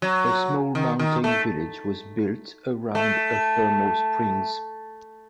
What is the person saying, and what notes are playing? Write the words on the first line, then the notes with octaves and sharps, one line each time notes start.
A small mountain village was built around a thermal springs.
F#3
D#3
D#3
A3
A3